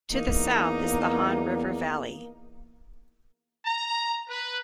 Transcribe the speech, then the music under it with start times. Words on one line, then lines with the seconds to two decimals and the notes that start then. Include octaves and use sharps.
To the south is the Han River valley.
0.11 E2 A#3 D#4
3.66 A#5
4.29 B4